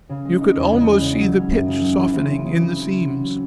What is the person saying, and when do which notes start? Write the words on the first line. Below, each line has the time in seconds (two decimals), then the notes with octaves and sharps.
You could almost see the pitch softening in the seams.
0.09 C#3
0.25 G#3
0.41 D#4
0.57 E2
0.72 C#3
0.88 G#3
1.04 C#3
1.20 F#3
1.35 C#4
1.51 F#2
1.66 C#3
1.82 F#3
1.98 E3
2.14 C4
2.30 C#3
2.45 C#3
2.61 E3
2.76 C4
2.92 C#4
3.07 F#4
3.24 F#3